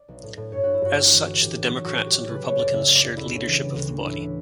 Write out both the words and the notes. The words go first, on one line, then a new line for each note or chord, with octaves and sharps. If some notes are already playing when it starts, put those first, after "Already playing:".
As such, the Democrats and Republicans shared leadership of the body.
Already playing: D5
B1
A2
A2
G2 C#5
G2 F#4
E4
G2 F#4
G1 G4
F#4
E3
G1
A2 G4
A2
F#4
F#3
A2 F#4
F#3
G4
F#3
C#3 B4
C#3 C#5
F#1 D5
F#1 E5
F#1
D5
F#1
D2 E4
C#3
E3
G3
D2
E3
A2 E4
A2